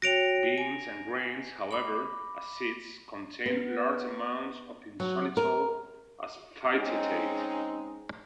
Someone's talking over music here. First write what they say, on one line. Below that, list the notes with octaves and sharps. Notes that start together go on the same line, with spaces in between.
Beans and grains, however, as seeds, contain large amounts of inositol as phytate.
F#4 C#5 G5 A#6 D7 F7
G#5
B5 D6
B3
F#3
A#4
G#3 C4 C#4 D#4